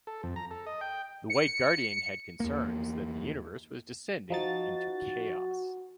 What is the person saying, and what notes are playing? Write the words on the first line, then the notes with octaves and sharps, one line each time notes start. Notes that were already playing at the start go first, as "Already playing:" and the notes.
The White Guardian had concerns that the universe was descending into chaos.
A4
F2
A#5
A4
D#5
G5
C#7
E2 A#3
F3 D#4 F#4 A6